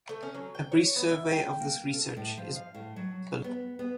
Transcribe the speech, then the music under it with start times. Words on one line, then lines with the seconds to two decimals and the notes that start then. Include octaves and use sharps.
A brief survey of this research is below.
0.09 A3
0.23 C#4
0.34 F#3
0.55 G5
0.72 C#5
0.96 B3
1.11 E5
1.31 G5
1.60 A#3
1.93 A4
2.17 A2
2.38 F3
2.56 F5
2.74 A2
2.96 F#3
3.44 B3
3.79 B3